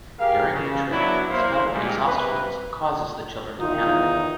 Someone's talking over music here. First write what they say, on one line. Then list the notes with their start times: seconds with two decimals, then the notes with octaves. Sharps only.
During the trip, the smell of exhaust fumes causes the children to panic.
0.19 G4 G#4 A#4 F5
0.52 C#3
0.90 F#3 B3 D4 E4
1.31 A#3 E4 C5 F5 C6
1.72 A#2 D#3 G3 G#3
2.07 C3 A#3 B4
3.60 E2 D#3 D#4 F4